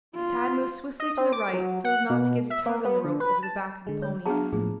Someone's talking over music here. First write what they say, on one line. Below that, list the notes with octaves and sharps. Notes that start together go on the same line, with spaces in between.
Tad moved swiftly to the right, so as not to get a tug on the rope over the back of the pony.
F4
D#5
C4
D6
F#3
F#5
B2
E5
A#3
B3
D3
B4
A5
D3 G#3
C#5
F#3 B3 D4 F#4 G#4 F5 A5 A#5
A2 F3 A#3 G#4